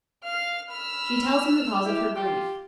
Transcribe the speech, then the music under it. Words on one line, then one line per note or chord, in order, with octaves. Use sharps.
She tells him the cause of her grief.
F5 F6
B5 E6 F6
E4 G4
F4 G4